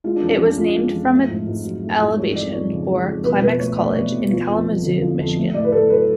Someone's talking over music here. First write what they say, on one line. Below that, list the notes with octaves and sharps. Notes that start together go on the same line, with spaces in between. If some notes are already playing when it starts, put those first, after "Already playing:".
It was named from its elevation, or Climax College in Kalamazoo, Michigan.
G#3 F4
D4
F2
C#4
F2 D4
F3 F4
G#3
F2
A3
G#2
G#2
F#3
A3
G#2
G#3 C#5
F2 D5
F2 C#5
C#3
G#3
F2
B2 B4
B2 B4
A3 C#5
A3 D5
B2 C#5
B2
F3
F2
F2
D3
F3
F2
A3
A2 D5
B4
A2 A4
F#3 B4